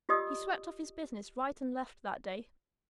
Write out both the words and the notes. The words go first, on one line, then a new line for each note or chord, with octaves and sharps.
He swept off his business right and left that day.
F4 G4 D5 D#5 D#6 E6